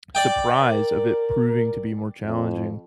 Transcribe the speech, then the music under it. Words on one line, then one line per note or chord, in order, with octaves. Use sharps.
surprise of it proving to be more challenging
D5 G5
A#4
F2